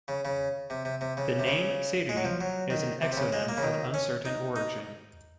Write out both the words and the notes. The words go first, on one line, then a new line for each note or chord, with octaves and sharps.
The name Seri is an exonym of uncertain origin.
C#3
C#3
C3
C3
C3
C#3
C3
C#3
G#3
F#3
F3
F#3
D#3
C3
C3
C#3
G#3
A#3
C#3
D#3
C#4
D#4
D#4